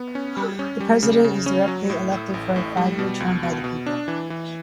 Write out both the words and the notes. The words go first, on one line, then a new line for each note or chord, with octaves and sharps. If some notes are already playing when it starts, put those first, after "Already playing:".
The President is directly elected for a five-year term, by the people.
Already playing: B3
C#4
G3
C#4
G3
C#3
C#3
C#4
F#3
A2
A2
A1
A2
G3
B2
C#2
B2
B2
D4
E3
E3